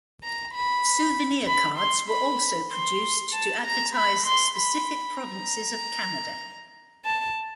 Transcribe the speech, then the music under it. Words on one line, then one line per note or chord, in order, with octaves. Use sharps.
Souvenir cards were also produced to advertise specific provinces of Canada.
A#5
B5
B5
C6
B5
C6
A5
A#5
B5
C6
B5
A#5
A5